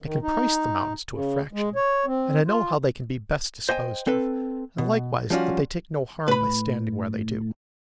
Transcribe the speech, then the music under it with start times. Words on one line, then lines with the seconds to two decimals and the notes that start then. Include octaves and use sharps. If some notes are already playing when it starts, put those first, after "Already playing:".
I can price the Mounds to a fraction, and I know how they can be best disposed of; and likewise that they take no harm by standing where they do.
0.02 D#3
0.22 D#4
1.12 C#3
1.53 G#3
1.75 C#5
2.06 C4
2.47 F4
3.69 C5 D#5 G5 G#5
4.07 C4 A4 B4
4.78 B2
5.30 F3 G3 C#4 F4 F#4
6.28 A2 B4 B5